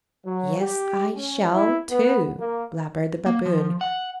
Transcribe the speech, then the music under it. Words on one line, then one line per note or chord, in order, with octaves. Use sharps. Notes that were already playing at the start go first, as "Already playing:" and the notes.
"Yes, I shall, too!" blabbered the babboon.
F#3
G4
C#4
E4
B3
A#3
A#3
F3
F#5